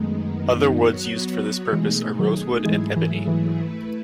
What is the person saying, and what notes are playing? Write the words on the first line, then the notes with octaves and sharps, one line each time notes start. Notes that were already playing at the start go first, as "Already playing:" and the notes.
Other woods used for this purpose are rosewood and ebony.
Already playing: F#2 D#3 F#3 G#3 A3 B3 D#4
F#3 B3 F#4 C#5
B2 E3 G#3 A3 D#4 G#4
D#3 F#3
G#2 E3 F#3 G#3 A3 E4 G#4
E3
E3
A3 E4 B4